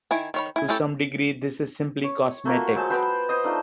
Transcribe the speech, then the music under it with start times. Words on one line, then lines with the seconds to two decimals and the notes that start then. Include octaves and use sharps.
To some degree this is simply cosmetic.
0.11 D#3 E4 G#5
0.34 D#3 C#5 B5
0.56 E4 G#5
0.68 A3 C#4 E4 G4 A4
2.04 C#5
2.45 A3 A#3 F4 F#4
2.75 F#3 G#3 C5 A5
2.90 B3 B4 C5 G5
3.29 C5 D#5
3.44 A3 D4 D#4 F4